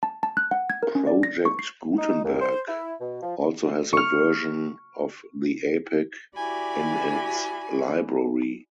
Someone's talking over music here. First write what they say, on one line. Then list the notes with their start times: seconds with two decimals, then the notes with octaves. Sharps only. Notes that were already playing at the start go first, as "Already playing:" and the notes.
Project Gutenberg also has a version of the epic in its library.
0.03 A5
0.23 A5
0.37 F#6
0.51 F#5
0.70 G#6
0.83 A#4
0.95 C#4
1.07 D5
1.23 A#6
1.45 C#6
1.59 C7
1.98 D#4
2.24 D#2
2.41 C5
2.68 E4
3.01 B2
3.23 F3
3.93 C#6 F6
6.35 E4 F#4 G4 D5 G#5 B5